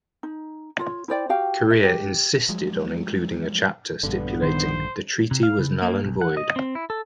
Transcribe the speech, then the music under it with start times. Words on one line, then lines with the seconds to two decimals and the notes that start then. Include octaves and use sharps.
Korea insisted on including a chapter stipulating "The treaty was null and void".
0.23 D#4
0.79 F4 C#5
1.08 E4 C5 D5 G5
1.29 F#4 G4 F5 G5
1.70 E5
1.84 G4
2.49 F3 F#3 G#3
4.03 A#1 G2 D3 B3
4.42 D#3 C5
5.31 C3
5.43 F5
5.59 C#3
5.82 A#3
6.04 B1
6.21 F#5
6.37 D#5
6.56 C4
6.75 E4
6.90 A4